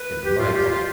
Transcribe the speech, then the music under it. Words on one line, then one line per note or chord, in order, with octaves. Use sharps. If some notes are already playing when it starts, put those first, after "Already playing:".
In my blood!
Already playing: B4
G4
F4
G4
F4